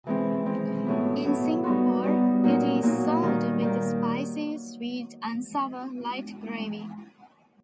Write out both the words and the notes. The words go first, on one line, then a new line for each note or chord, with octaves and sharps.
In Singapore, it is served with spicy, sweet and sour light gravy.
E3 G#3 C4
E3 G#3 C4
A2 F#3 B3 E4
A2 F#3 B3 E4
G3 B3 D#4 F#4
G3 B3 D#4 F#4
A#2 F#3 A#3 D#4 F#4
A#2 F#3 A#3 D#4 F#4
D#3 G3 A#3
D#3 G3 A#3